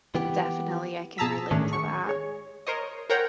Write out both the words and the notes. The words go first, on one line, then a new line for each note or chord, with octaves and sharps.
Definitely I can relate to that.
E3 B3 G4
B2 G#4 A5 A#5 E6 B6
A2 D#3 A3 C#4 D4 G#4
C#6
G#3 C#5
A#4 C5 C#5 D#5
A#4 C5 C#5 F#5 G5 A#5